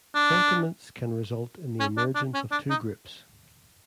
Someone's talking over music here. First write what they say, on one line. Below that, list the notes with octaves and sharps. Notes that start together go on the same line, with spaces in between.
Sentiments can result in the emergence of two groups.
D4
C#4
D4
D4
C#4
D4
D#4